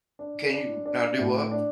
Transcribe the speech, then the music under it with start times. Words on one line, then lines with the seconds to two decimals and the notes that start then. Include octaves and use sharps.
can you now do what?
0.19 D4
0.53 D4
0.86 D4
1.19 A2
1.51 D4